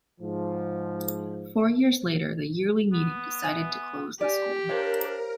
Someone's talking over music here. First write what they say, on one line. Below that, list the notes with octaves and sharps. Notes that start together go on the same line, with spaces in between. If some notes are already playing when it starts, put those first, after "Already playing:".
Four years later the Yearly Meeting decided to close the school.
G#2 F3
B3
E5 G#5
G4 D5 G#5
D4 A#4 C5 C#5 F5